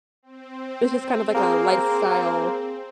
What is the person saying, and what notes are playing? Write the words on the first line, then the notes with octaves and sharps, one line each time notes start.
It's just kind of like a lifestyle
C4
A#3 G#4 A#5